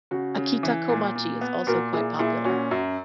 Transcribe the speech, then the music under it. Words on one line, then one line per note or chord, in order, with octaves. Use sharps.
Akitakomachi is also quite popular.
C#3 F#4
C#3
E3
A#2
A#2
B3
A#2 F#4 A#4
A#2 E4 G#4
A#2 E4 G#4
C#4 F#4
F#2 F#4